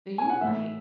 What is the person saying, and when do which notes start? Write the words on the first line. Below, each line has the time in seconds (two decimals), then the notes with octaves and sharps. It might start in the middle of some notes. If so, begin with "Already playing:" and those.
Do you like
0.18 G#5
0.30 F#5
0.40 A2 E3 A3 E5